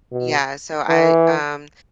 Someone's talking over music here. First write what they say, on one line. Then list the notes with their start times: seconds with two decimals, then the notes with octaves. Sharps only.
yeah, so I, um,
0.12 B2
0.89 E3